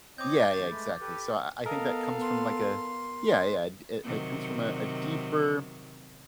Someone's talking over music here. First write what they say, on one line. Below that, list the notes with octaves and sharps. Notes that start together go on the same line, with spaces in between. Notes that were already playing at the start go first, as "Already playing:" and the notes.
Yeah, yeah, exactly. So I I think that comes from, like, a Yeah, yeah, it, like, comes from a deeper
C4 C#5 D#5 D6 G6
D#2 C#3 C#5 A6
G#3 A3 B4
G4 A4 B4
B3 A4 A#4 D#5 F5
C6
C3 D#3 F#3